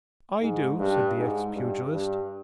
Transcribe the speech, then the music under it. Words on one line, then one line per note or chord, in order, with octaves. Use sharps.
"I do," said the ex-pugilist.
G#2
G2
G#2
G2
G2